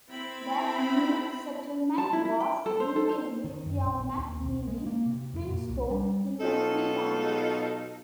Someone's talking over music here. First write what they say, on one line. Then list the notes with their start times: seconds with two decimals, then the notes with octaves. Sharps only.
The new settlement was renamed Peawanuck, meaning "flintstone" in the Cree language.
0.11 C4 E4 B5
1.98 A5
2.13 E4
2.25 E4
2.40 G5
2.66 A4
2.80 C5
2.96 A4
3.09 C5
3.44 D#3
3.66 F#2
3.84 A#1
4.18 D#2
4.45 B1
4.68 G#3
4.86 A#3
5.06 C3
5.34 F2
5.50 A#2
5.69 C2
5.90 G3
6.41 B2 F#3 D#4 F4 A4